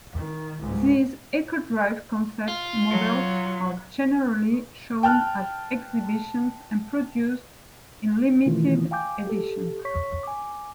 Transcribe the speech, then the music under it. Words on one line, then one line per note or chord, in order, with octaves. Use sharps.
These Eco-Drive Concept Models are generally shown at exhibitions and produced in limited editions.
D#3
C#2 G#2
F4
F#3
G5 A5 F6 F#6
B2 D#3 E3 A3 E4 F4
F5 G5 G#5 D6 G6
G4 A4
C#5 C#6 B6
G#5 D6